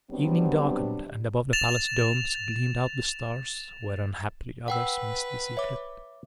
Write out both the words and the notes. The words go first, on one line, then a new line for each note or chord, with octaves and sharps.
Evening darkened and above the palace domes gleamed out the stars whereon haply others missed the secret too.
C3 F#3 G3 B3 C4 D4
A6 E7 F7
B4 F#5 G5 E6
C#5 E5 D6